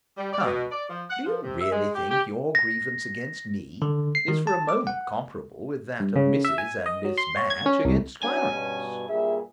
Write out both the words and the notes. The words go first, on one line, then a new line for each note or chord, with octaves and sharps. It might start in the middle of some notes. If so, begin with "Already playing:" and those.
Come, do you really think your grievance against me is for a moment comparable with that of Mrs. and Miss Batch against Clarence?
G3
D5
B2
D5
F3
F#5
F3
C3
E5
G#3
G4
G4
A#6
D3
C7
D#3
A5
D6
F#5
G2
C#3
E5
G#5
D#5
F#3
C6
C#5
G#6
C#4
C2
F#3 B3 C#4 D4 G#5
G2 B2
G2 A#2 G#4 E5